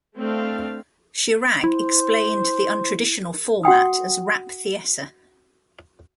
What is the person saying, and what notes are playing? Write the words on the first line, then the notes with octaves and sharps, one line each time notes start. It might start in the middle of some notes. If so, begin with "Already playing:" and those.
Chirag explained the untraditional format as "rap theatre".
A3 C4 D4 F5
E4 C5
F#4 F#5 G5 D#6